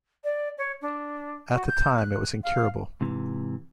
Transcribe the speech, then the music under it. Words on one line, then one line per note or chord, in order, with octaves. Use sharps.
At the time it was incurable.
D5
C#5
D4
F#4
G6
F#6
F5
G#2 C3 E3